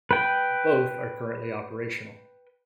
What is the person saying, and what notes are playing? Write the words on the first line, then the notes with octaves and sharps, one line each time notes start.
Both are currently operational.
B4 G5